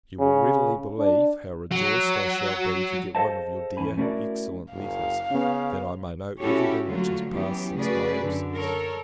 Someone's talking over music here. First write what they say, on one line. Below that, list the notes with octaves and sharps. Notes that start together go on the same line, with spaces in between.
You will readily believe, how rejoiced I shall be to get one of your dear, excellent letters, that I may know every thing which has passed since my absence.
C#3
D4
F#3
G#4 A4 C5 D#5 F5 A5
E2 C#4 G#5 B5
A3 C#4 E4 F#4 A#4 D5
F#1 F5
C#3 B3 C#4
C#4 E4 F#4 G4 A4 C#5
D3 F#3 A3 A#3 F4 F#4
E3 F#3 B3 C#4 G4
C#3 A3 F#4 G#4 B4 D5
F#2 D3
A4 A#4 C#5